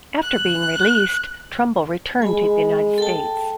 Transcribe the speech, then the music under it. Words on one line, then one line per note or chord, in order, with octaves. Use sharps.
After being released, Trumbull returned to the United States.
F#6
G#3 G#5 B5
A4 G5 A5